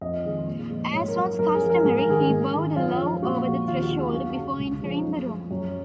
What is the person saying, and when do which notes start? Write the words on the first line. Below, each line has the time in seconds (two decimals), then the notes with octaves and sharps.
As was customary, he bowed low over the threshold before entering the room.
0.01 F2 D#5
0.25 D#3 G#3
0.47 A#2
0.70 F3 G#3
0.93 G#2 C#5
1.08 A#4
1.16 F#3
1.39 F#2 A#4
1.54 G#4
1.62 F3 G#3
1.70 A#4
1.84 G#2 G#4
1.98 A#4
2.08 D#3 G#3 G#4
2.30 G#2
2.53 D#3 G#3
2.76 F#2 F4
2.99 F3 G#3
3.21 A#2 F#4
3.44 F3 G#3
3.67 D#2 F4
3.83 F#4
3.91 D#3 G#3
3.98 G#4
4.13 F#2 F#4
4.36 C#3 G#3
4.59 C#2
4.82 C#3 F3 G#3
5.05 F#2
5.28 F3 G#3
5.51 F#2